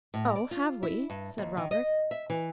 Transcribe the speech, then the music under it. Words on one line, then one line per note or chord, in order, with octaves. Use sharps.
'Oh, have we?' said Robert.
A2
D5
F4
E4
G2
D#2
D#3
D#5
E5
E3